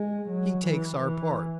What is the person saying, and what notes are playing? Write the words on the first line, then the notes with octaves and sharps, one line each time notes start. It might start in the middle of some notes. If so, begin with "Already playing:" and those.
He takes our part.
Already playing: G#3
F#3
E3
E3